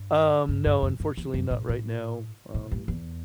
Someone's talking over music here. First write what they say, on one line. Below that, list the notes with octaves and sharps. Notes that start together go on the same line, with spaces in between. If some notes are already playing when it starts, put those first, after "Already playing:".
Um, no, unfortunately, not right now, um
Already playing: G2
G2
G2
F#2
G2
E2
F#2
A2
A2
A2
G2
E2